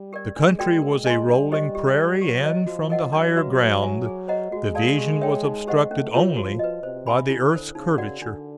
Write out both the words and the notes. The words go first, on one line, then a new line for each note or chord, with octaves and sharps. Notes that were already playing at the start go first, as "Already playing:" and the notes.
The country was a rolling prairie, and, from the higher ground, the vision was obstructed only by the earth's curvature.
Already playing: G3
G4 A#4 D5
G#3 D4
F#4 A#4 D5 G5
A#4
D#5 G#5 C6
G3 D4
G4 C5 D#5
G4
A#4 D5
F#3 G4
C5 D#5
F3 F#4
A#4 D#5 F#5
F#3 D4
F#4 B4 E5
C5
E5 G#5
G#4
C5 D#5 F#5 A#5
G#3 F#4
A4 D5 F5 A5
G4
A#4 C#5 E5 G5
D#4
G4 C5 D#5 F#5
A3 C#4
F4 A#4 C#5 E5
F3 F#4
B4 D#5
C3 C5
E5 G#5 B5
D3 E4
A4 C5
C#3 D#4
F#4 A#4 D5 F#5
D3 D4